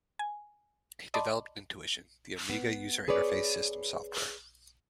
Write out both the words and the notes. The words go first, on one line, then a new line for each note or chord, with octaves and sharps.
He developed "Intuition", the Amiga user interface system software.
G#5
D5 D#5 A5 B5 C6 D6
B3
G#4 B4 C#5 D5